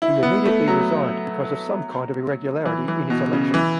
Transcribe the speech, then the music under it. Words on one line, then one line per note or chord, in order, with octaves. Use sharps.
He immediately resigned because of some kind of irregularity in his election.
E4
B3
A3
F#3
E3
E3
B2
C#3
E3